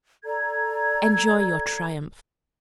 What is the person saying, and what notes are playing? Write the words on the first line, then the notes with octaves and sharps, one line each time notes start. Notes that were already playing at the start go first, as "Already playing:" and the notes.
Enjoy your triumph!
A4 D5 A#5 G#6